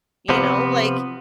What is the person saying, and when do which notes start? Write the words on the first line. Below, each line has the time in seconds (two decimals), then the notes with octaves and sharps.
you know, like,
0.30 C3 F3 B3